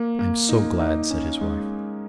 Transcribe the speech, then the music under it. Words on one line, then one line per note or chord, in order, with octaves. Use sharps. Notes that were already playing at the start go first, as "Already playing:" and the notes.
"I am so glad," said his wife.
Already playing: A#3
A#3
D#4
D#4
C#4
G#3